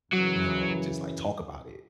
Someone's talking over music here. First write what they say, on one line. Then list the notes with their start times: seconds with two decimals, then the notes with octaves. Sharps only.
you know, just, like, talk about it,
0.12 F#2 C#3 E3 F#3